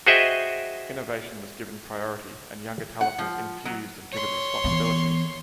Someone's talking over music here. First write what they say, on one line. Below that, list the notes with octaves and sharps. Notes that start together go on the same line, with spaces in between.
Innovation was given priority and younger talent was infused and given responsibilities.
F#4 G#4 C5 D#5 E5 G5
F#5
F3
F#3
C#5 C6
E3 B3